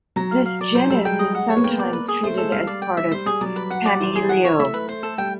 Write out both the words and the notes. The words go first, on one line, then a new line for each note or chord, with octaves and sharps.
This genus is sometimes treated as part of "Panaeolus".
F#3 A#5
F5
F5
D5
F#3 C5
G3 A4
G#3 G5
D#5
F#5
C#5
B3
A#3 G5
D5
B4
G#4
A3 C5
G#3 A4
G3 F5
D5
G5
E5
G3 C5
G3 G#4
F#3 D5
B4
F#5
D5
E3 C5
G#4
F#5
C#5
A3 E5
B4
C5
A4
G3 G5